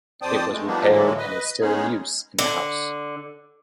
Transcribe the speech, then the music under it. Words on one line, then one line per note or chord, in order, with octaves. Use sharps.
It was repaired and is still in use in the house.
F2 C5 D5 G5 A5 D#6
G#3 A3
F3 G3 A#3 B3 D4 D#4
A2 D3 E3 F#3 G#3 A#3
B4 D#5
G#3 B3 C#4 D#4 G#4
D3